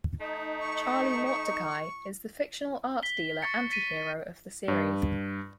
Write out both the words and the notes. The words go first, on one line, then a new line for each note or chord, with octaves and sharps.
Charlie Mortdecai is the fictional art dealer anti-hero of the series.
A3 D#4
C#6
B6 G7
C#6 A6 C#7
A6 B6 D#7
G2